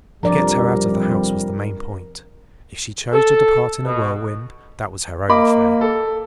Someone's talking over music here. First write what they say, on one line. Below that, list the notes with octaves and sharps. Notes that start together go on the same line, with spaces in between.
To get her out of the house was the main point; if she chose to depart in a whirlwind, that was her own affair.
F2 C3 F3 G3 D4 A#4 D5
A4
B2
A#3 D#5 B5 D6
A4